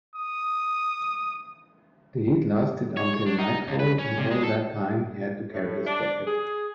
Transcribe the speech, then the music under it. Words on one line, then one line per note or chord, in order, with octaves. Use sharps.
The heat lasted until nightfall, and all that time he had to carry his jacket.
D#6
C#5
C#5
D4
D#4
C#2
B4
C#4
C3
G#3
A4
A2
D4
G#4